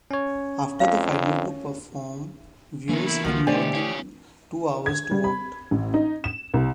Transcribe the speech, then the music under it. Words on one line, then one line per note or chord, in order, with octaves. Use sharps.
After the final two perform, viewers had more than two hours to vote.
C#4 C#5
F2 F5
E3 A#3 B3 A#4
E4
C2 F3 G3 A#3 F4 F#4
B2 D3 E3 A3 G4 C5 D5 G#5
C#5 F5
G#6
G3
B5
A1
D#4
E7
C2